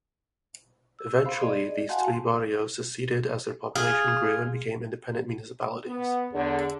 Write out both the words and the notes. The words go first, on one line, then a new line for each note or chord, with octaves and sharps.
Eventually, these three barrios seceded as their population grew and became independent municipalities.
E6
C5 F5 B5 C6
G#4 D5 D#5
F#4 F5 F#5 G#5 A5 C6
F4 G#4
B3
E2 D3